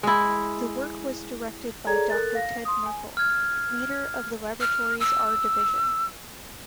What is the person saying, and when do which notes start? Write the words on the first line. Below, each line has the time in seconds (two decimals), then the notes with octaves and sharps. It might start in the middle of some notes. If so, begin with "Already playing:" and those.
The work was directed by Doctor Ted Merkle, leader of the laboratory's R-Division.
0.03 G#3 E4
1.87 G#4 A4 C#5 D5 A#5 G#6
2.10 A4 A#4 F#6 A6
2.35 F5 A#6
2.65 C6 D#6
2.86 G#5
3.17 F6 G#6
4.61 F6
5.00 E6